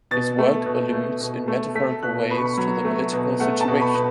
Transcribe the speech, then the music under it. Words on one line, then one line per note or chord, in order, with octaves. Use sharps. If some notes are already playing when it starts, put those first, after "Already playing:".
His work alludes in metaphorical ways to the political situation.
B2 A6
A3
B2
A3
B2
A3
A3 B6
B2 F#6
B2 B5
C#6
B5
F#3
A3
B2
A3 F#5
A5
B2
C#6
B5
B2